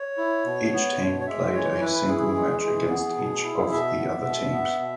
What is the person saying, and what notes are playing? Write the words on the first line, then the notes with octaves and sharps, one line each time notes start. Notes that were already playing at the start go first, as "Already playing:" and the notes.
Each team played a single match against each of the other teams.
Already playing: C#5
E4
B2
B3
B2
C#5
G#3 E5
E3 C#5
E4 B4
E3 G#4
G#3
E3
B3
B2
E4
B2 E5
B3
B2
B3
B2